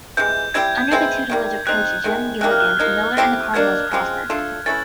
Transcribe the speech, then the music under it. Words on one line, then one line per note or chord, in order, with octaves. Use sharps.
Under the tutelage of Coach Jim Gilligan, Millar and the Cardinals prospered.
C3 E3 G#3 G6
G3 C4 E4 G4 G#6
E3 G#3 C4 E4
C3 D#3 G3
G3 C4 D#4 F#6
C3 D#3 G#3
C3 D#3 G3 A#3 F#6
F6
F#6
F3 A#3 D#4 G#6
A3 C4 E4 G4
B2 F#3 A#3 D4 G#6
C#3 F3 G#3 C4
A3 D4 F4 A4
E3 A3 C#4 E4 A6